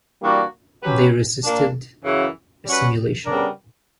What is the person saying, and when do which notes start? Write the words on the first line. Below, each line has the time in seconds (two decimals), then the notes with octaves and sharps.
They resisted assimilation.
0.22 E3 G3 A#3 D4 F#4
0.83 F#3 C#4 G4 B4
1.43 A#2 A#3 D4
2.05 F#2 C#3 E3
2.65 G3 C#4 F#4 B4
3.26 C#3 G3 B3 D4 A#4